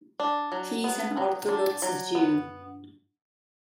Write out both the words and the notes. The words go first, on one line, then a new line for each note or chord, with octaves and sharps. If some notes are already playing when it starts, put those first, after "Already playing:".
He is an Orthodox Jew.
D4
F#3
B3
F#3
D4
F#3
B3